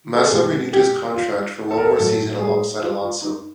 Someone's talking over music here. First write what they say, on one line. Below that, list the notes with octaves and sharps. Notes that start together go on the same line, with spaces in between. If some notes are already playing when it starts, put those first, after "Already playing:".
Massa renewed his contract for one more season alongside Alonso.
A4
G#4
B2 G#3 G4
G4
F4
A4
A#4
A4
A2 F#3 A3 A4
G#4
F4
F4
D#4